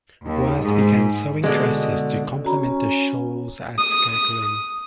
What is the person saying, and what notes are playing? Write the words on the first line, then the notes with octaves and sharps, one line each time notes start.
Worth began sewing dresses to complement the shawls at Gagelin.
D#2
G#2
B2 D3 G#3
C#4 F#4 A#5 B5
D#6